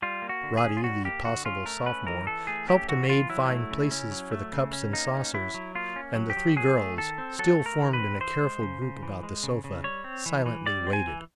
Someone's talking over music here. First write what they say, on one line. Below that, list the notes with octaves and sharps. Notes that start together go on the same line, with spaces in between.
Roddy, the possible sophomore, helped a maid find places for the cups and saucers; and the three girls, still formed in a careful group about the sofa, silently waited.
G3 F4
A#3
F#4
D3
G#4
C#4
F4
G3 F#4
A#3 G4
D3 F#4
C#4 F4
A3 A#4
C#4 B4
E3 A#4
E3 A4
A3 G#4
C#4 G4
E3 F#4
E3 F4
F#3 E4
A3
C#3
C#4
F#3
A3
C#3
C#4
A#3 D#4
C#4
F#3 E4
F#3
A#3 F4
C#4
F#3
G4
F#3
F#3 G#4
A3
D#3 A4
C4
F#3 A4
A3
A#4
D#3
B4
C4
E3 C5
G#3
C#3
C#3
E3
G#3
C#3
C#3
G3 C#5
C4
E3
E3
G3 D5
C4
G#5
E3